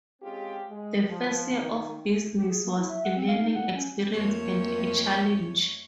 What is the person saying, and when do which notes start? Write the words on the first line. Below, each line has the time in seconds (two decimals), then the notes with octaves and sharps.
The first year of business was a learning experience and a challenge.
0.22 G#3 C4 C#4 F4 G4 G#4
0.69 G#3
1.09 F3
1.59 D#3
2.37 G4
2.49 G#4
2.65 A#3
2.77 E4
2.89 E5
3.05 F#5
3.16 C4
3.28 F5
3.42 D#4
3.55 F#5
3.75 C#4
4.12 F2 A3 A#3 C#5